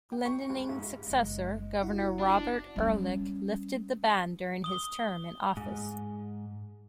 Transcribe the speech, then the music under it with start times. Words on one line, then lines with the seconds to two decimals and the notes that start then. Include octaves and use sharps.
Glendening's successor, Governor Robert Ehrlich, lifted the ban during his term in office.
0.12 G5
0.25 C#6
0.50 C#2
0.69 G#2
1.06 F#1 G#3 B3
1.83 E4 F#4 F#5
2.19 D4
2.76 G3 C#4
4.64 D#6 G7
5.57 G#2